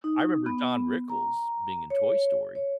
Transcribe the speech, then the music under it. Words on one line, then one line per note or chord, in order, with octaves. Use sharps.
I remember Don Rickles being in Toy Story,
D#4
B3
A#5
C#5
C#5